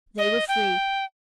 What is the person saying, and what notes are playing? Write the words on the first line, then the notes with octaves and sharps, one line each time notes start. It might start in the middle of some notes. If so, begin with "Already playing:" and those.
They were free.
D#5
G5